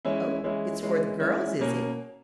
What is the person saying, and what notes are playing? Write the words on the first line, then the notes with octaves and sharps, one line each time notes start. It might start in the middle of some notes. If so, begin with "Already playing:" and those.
"O, it's for the girls, is it?"
E3 G#3 C#4 E4
E3 G#3 C#4 E4
E3 G#3 C#4 E4
E3 G#3 C#4 E4
B2 A#3 C#4